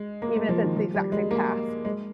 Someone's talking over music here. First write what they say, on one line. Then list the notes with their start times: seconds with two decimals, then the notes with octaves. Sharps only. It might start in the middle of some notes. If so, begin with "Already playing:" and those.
even if it's the exact same task.
Already playing: G#3
0.22 A#3
0.36 G#3
0.49 F3
0.62 D#3
0.76 F3
0.94 G3
1.12 G#3
1.31 A#3
1.85 G#3